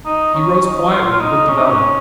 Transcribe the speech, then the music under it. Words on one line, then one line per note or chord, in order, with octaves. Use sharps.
He rose quietly and looked about him.
D#4
C#4
D#4
F4
F4
D#4
C#4
D#4
C#4